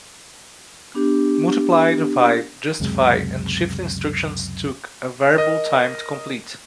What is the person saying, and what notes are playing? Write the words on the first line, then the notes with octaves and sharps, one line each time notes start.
Multiply, divide, justify and shift instructions took a variable time to complete.
B3 D4 G4
C#2 F#2 C3 G#3
A#4 D#5